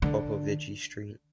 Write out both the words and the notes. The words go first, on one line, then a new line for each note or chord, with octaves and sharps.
Popovici Street.
D3